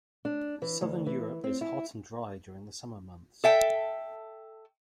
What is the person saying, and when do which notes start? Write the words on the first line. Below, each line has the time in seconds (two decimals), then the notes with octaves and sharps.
Southern Europe is hot and dry during the summer months.
0.25 D4
0.62 E3
0.81 D2
1.06 E3
1.44 C4
1.61 E4
3.44 A4 E5 G5